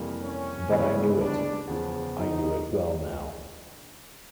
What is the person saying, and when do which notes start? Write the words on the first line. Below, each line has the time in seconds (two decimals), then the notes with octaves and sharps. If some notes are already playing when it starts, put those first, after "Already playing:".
But I knew it, I knew it well now.
Already playing: F2 C3 E3 G3 A#3
0.22 C#4
0.70 D2 C#3 E3 G3 B3
1.19 D4
1.67 E2 C#3 F3
2.17 D#4